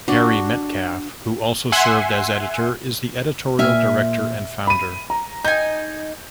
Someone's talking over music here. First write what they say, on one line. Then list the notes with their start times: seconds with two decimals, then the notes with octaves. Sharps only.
Harry Metcalfe, who also served as editor, is the editorial director and founder.
0.08 D4 F#4
1.72 E5 F#5 G#5 C6
3.59 A#2 E5 G#5 F6
4.67 B5 D#7
5.10 A#5
5.45 D#4 G#5 G6